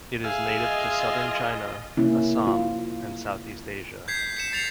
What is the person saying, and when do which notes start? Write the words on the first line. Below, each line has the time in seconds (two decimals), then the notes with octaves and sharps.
It is native to southern China, Assam, and Southeast Asia.
0.24 G#4 E5 F5
0.57 F4 D#5
1.97 C3 A#3 C#4 E4
2.47 F4
4.08 G6 G#6 B6 C7
4.37 B6 C#7 E7
4.53 A6 C7 C#7 E7 F7